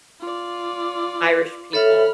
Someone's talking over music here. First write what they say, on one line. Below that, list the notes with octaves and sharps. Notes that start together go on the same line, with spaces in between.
Irish people.
F4 D5
A4 C#5 E5 B5 F6